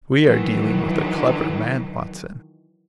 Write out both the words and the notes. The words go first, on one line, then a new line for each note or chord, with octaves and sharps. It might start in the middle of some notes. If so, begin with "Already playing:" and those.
We are dealing with a clever man, Watson.
D#3 E3 F#3